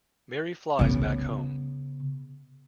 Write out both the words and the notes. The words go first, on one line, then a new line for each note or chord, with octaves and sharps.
Mary flies back home.
C#3 B3